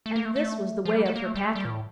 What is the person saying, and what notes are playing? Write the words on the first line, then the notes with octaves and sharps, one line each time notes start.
And this was the way of her packing.
A3
A#3
A3
A3
F3
G3
A3
A#3
A3
G3
A3
G3
A#2
A2